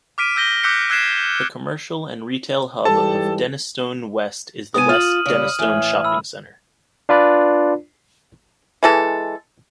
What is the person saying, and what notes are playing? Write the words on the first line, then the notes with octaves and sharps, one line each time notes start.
The commercial and retail hub of Denistone West is the West Denistone Shopping Centre.
D6 F6 B6 D7 D#7
E6 G6 A#6 G7
D6 E6 F#6 G6 B6 C#7
E6 F#6 G#6 B6 C7 E7
G#2 E3 G3 A4 A5
C3 B3 G#5 D#6 D#7
F4 F6 F#7
C#3 G3
A2 E3 F6
B5 E6
D4 F4 B4 D5
E3 G#3 A4